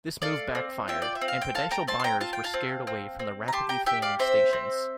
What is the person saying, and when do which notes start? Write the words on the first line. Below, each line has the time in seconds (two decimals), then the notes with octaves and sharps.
This move backfired, and potential buyers were scared away from the rapidly failing stations.
0.22 A4 D5 F5
0.55 C4
0.88 F4 E5 G5
1.02 D5
1.15 E5
1.21 C4
1.28 F5
1.42 G5
1.55 A4 F5 A5
1.71 G5 A#5
1.87 C4 A5 C6
1.99 C6
2.04 G5 A#5
2.21 F4 A5
2.33 G5
2.44 F5 A5
2.54 C4
2.87 C4
3.19 C4
3.48 A#5
3.53 G4 A5 C6
3.69 G5 A#5
3.86 G4 E5 G5
4.02 D5 F5
4.19 C4 C5 E5
4.53 C4